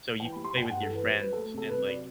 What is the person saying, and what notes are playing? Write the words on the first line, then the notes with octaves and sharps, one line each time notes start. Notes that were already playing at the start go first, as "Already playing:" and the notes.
So, you can play with your friends and, like,
E3 G5
G3 B5
C6
G2 G5
G5
G2 F#5
E3 A4
B4
G3 C5
F#3 B4
A3 A4
C3 A4
C3 B4
F#3 D5